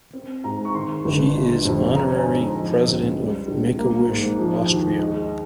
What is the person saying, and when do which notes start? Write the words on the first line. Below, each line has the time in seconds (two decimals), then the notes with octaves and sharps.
She is honorary president of Make-A-Wish Austria.
0.13 C4
0.44 G#2 A#5
0.65 C#6
0.75 D#3 C6
1.05 G1
1.35 G3
1.65 F2
1.95 C#4 A#5
2.19 G#5
2.26 G#2 A#5
2.56 F3 D#5
2.88 C#2
3.17 G3
3.48 A#1
3.79 A#3
4.09 G#2
4.39 F3
4.69 D#2
4.99 G#3 D#5